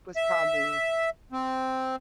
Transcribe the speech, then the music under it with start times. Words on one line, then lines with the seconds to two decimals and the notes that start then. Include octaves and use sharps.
was probably
0.16 E5
1.32 C4